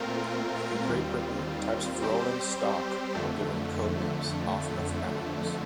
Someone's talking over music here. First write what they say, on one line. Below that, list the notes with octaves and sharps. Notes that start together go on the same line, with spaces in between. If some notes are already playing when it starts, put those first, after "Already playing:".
In Great Britain, types of rolling stock were given code names, often of animals.
Already playing: A#2 A3 C4 F4 A#4
D#2 D#3 G3 C4 F4
G3 C4 G4 C5
F2 D3 A3